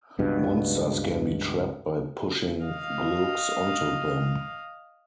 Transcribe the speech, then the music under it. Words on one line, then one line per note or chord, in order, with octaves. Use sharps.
Monsters can be trapped by pushing Glooks onto them.
C#2 G2 B2
D#5 F5